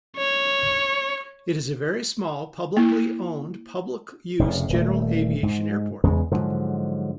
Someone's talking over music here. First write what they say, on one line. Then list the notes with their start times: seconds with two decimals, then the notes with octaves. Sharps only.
It is a very small, publicly owned public-use general aviation airport.
0.17 C#5
2.77 A#3 E4
4.39 F1 A2 C#3
4.70 D#1 A3
5.43 G#2
6.04 E2 C#3 G#3
6.31 G#2 D3 F3 F#3